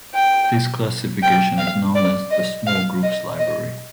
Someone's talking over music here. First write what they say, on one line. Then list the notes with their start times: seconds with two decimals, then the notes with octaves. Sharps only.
This classification is known as the Small Groups Library.
0.14 G5
1.22 G5
1.58 F5
1.95 D5
2.31 D#5
2.66 F5
3.03 D#5
3.39 D#5